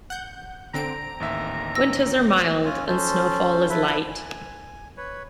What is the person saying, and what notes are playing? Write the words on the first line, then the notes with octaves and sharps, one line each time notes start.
Winters are mild and snowfall is light.
F#5 G6
D3 C4 A#5 D7
A1 D#2 E5
E6 A#6
C#4 F4 G#5
C#4 A4 C5
E4 A4 B4 E5
G#5
B4 C#5